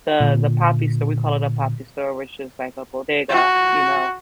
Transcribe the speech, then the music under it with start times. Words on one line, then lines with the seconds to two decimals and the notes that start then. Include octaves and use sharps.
the the papi store, we call it a "papi store," which is like a bodega, you know,
0.20 A#2 D3
3.29 F#4